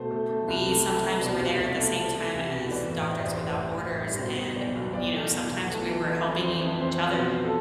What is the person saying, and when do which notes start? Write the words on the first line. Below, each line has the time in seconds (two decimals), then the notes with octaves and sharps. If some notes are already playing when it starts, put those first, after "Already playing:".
we sometimes were there at the same time as Doctors Without Borders and, you know, sometimes we were helping each other
Already playing: B2 A3 C5
0.11 A3
0.29 A3
0.48 C2
0.67 A3
0.84 A3
1.04 A3
1.22 B2 D5
1.41 C2
1.59 C2
1.77 A3
1.96 A3
2.15 A3
2.34 C2
2.52 B2
2.70 E3 D5
2.89 A2
3.08 E3 C5
3.20 D5
3.26 A1
3.32 C5
3.45 A2
3.64 A2
3.83 A2
4.01 G3
4.19 B2 C5
4.37 B2
4.56 B1 D5
4.75 B1
4.93 B1 D5
5.12 A3
5.31 B1
5.49 B1
5.68 A3
5.87 E3
6.05 E3
6.24 F2
6.42 E3 C5
6.61 F2
6.80 F2 C5
6.98 F2
7.11 B4
7.17 B2 C5
7.45 A4